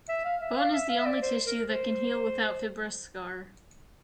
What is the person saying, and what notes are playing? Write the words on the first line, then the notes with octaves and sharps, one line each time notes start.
Bone is the only tissue that can heal without a fibrous scar.
E5
F5
E5
F5
E5
F5
E5
D5
C5
A#4
C5